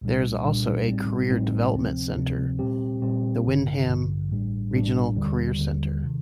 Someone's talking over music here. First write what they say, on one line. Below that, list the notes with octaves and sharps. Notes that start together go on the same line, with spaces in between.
There is also a career development center, the Windham Regional Career Center.
C2 A#2 G3 D4
C2 A#2 G3 D4
A1 A2 G3 C4 D#4
A1 A2 G3 C4 D#4
D2 C3 F3 C4
D2 C3 F3 C4
A#2 G3 C4 G4
A#2 G3 C4 G4
A1 G2 D3
A1 G2 D3
A1 A2 G3 D4
A1 A2 G3 D4
D#2 D3 G3
D#2 D3 G3
C3 D#3